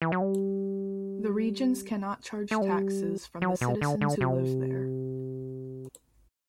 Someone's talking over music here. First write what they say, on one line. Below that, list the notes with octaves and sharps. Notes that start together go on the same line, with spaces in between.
The regions cannot charge taxes from the citizens who live there.
E3
F#3
G3
A3
G3
F#3
B2
D3
D3
C3